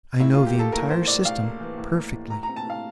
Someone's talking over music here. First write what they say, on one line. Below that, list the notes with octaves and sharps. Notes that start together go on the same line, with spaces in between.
I know the entire system perfectly.
A2 E4
F4
A#3
G4
A#3 A4
A2 A#4
A2 C5
A2 D5
A2 F5
A#3
E3
A2
A#3
A2
A2 A#5
A#5
C4
A5
A2 F5